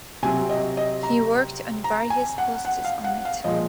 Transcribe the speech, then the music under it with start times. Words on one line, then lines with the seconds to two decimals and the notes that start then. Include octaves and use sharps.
He worked on various posts on it.
0.23 C3 F#3 C4 G#5
0.49 D#5
0.77 D#5
1.03 A#5
1.84 A#5
2.10 G#5
2.38 F#5
2.65 F#5
2.85 F5
3.04 F#5
3.25 F5
3.44 A#2 F3 G#3 D#5